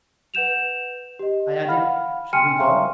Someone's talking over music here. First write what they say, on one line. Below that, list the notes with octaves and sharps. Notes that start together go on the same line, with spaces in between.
I added, "Shall we go?"
B4 F#5 G6 E7 F7
G4 D#5
F5 F#5 B5 F6
G5 G#5 C6 F6 C#7 D#7
E5 F5 A#5 C6 C#6 F6